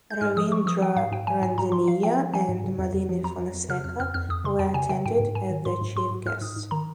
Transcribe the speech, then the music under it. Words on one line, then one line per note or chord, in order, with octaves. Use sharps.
Ravindra Randeniya and Malini Fonseka were attended as the Chief Guests.
G6
G#2 F6
F3 D#6
F3 C#6
F3 D#6
F3 G5
G#2 F5
G#2 G5
F3 G#5
G#2 G#5
G#2 A#5
F3 C6
F3 F5
F3 G5
F3
F3 G#5
G#2
C#3
F2
F2
F3
F2 A#5
F2
F2
C#3 F6
F2 F6
F2 F6
F2 F6
F2 D#6
C#3 C6
F2 G5
C#3 G#5
C#3 G5
G#2 G5
G#2
G#2 G#5
D#3
G#2 C6
G#2
G#2 C6
G#2
G#2 F6
G#2 D#6
G#2
D#3 A#5